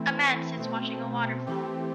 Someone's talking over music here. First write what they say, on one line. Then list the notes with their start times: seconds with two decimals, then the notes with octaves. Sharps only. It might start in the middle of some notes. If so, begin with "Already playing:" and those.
A man sits watching a waterfall.
Already playing: E3 A3 C4 E4
0.57 B2 A3 C4
1.47 E3 A3 C4 G4